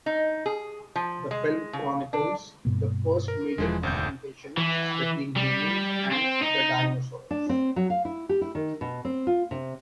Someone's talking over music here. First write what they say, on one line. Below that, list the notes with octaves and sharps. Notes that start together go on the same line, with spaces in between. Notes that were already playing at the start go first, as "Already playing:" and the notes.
The film chronicles the first major confrontation between humans and the dinosaurs.
D#4
G#4
F3
G#3
C#3
D4
G2 B2 A#3
A#4
E1 E3 F3 G#3
G#1 D2 G6
E3
G3
C4
D#4
D4
C4
F#3
F5
E4
G4
E4
D#3
B2
C4
F4
C3